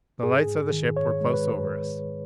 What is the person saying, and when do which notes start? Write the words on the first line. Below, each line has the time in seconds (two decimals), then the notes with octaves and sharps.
The lights of the ship were close over us.
0.23 G#2 G#4
0.47 G#2
0.72 D#3
0.97 G#2 C#5
1.21 G#3
1.34 B4